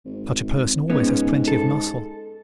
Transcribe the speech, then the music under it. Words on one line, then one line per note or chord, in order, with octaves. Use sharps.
Such a person always has plenty of muscle.
G#1
G#2 B3 C#4
A4